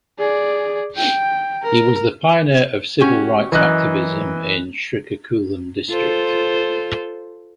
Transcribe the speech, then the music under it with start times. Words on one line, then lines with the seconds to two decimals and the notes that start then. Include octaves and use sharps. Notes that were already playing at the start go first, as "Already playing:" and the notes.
He was the pioneer of Civil Rights Activism in Srikakulam District.
0.19 G#4 D5
0.96 G5
1.63 A#4
3.01 C#4 F#4 G4
3.52 F#2 E3 F#3 D#5 F#6
5.90 F4 A4 C5